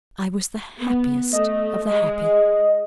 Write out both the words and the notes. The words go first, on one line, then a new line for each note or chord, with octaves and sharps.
I was the happiest of the happy.
B3
A3 D#5
G#3 G#4